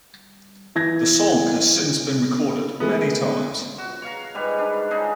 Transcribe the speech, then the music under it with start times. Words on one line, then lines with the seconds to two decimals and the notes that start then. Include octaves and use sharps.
The song has since been recorded many times.
0.75 E3 G#6 A#6
2.80 G#3 A3 B3
3.78 F#4
4.02 C#5 F5 A#5
4.34 G#2 G3 B4
4.59 D4
4.91 C#3 D#4 G#4